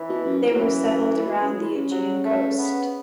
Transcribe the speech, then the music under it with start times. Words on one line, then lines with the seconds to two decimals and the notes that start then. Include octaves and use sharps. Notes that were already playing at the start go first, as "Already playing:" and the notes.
They were settled around the Aegean coast.
Already playing: E3
0.09 B2
0.26 F#2
0.42 E2
0.55 F#3
0.59 F#2 E3
1.16 A2
1.25 B2
1.42 C#3
1.51 F#3
1.59 E3
1.75 C#3
1.91 F#3
2.25 A3
2.59 B3